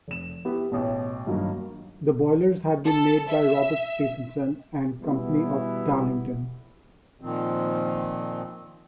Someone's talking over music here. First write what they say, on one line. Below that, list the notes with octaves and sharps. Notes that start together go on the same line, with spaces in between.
The boilers had been made by Robert Stephenson and Company of Darlington.
F1 E7
B3 E4 G4
A1 B2
G2 D#3 F#3 A#3
A4
E5
B2 E3 G3 B3 E4
A#2 D#3 F3 C4